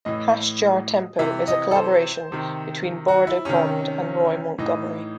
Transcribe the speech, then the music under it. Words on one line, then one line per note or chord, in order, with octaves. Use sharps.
Hash Jar Tempo is a collaboration between Bardo Pond and Roy Montgomery.
A2 E3 D#5
C3 E3 E5
D#5
A4
C5
C3 D#3
F#4
E4
C3 D#3 C#4
A2 E3 D#4